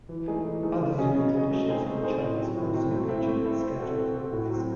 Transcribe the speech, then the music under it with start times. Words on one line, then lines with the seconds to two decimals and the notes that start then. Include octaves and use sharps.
Other Zulu traditions and chants also featured in Scouting for Boys.
0.09 E3
0.28 A3 D#4 G#4
0.45 E3
0.63 A3 D#4 G#4
0.80 C#3
0.98 F#3 C#4 G#4 D#5
1.16 C#3
1.33 F#3 C#4 G#4 D#5
1.51 A3
1.68 C4 D#4 G#4 C5
1.86 A3
2.03 C4 D#4 G#4 C5
2.21 A2
2.38 F#3 C4
2.57 A2
2.73 F#3 C4
2.91 A3
3.09 C4 E4 A4
3.27 A3
3.44 C4 E4 A4
3.61 C4
3.79 F#4 A4
3.97 C4
4.14 F#4 A4
4.32 A2
4.50 F#3 C4